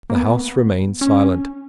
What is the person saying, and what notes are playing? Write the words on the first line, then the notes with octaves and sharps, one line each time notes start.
The house remained silent.
A#3
B3
C#4